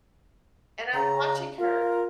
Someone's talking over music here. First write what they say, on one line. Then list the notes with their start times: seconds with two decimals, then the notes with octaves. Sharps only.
And I'm watching her
0.94 C#3 A#5
1.59 F4 A#4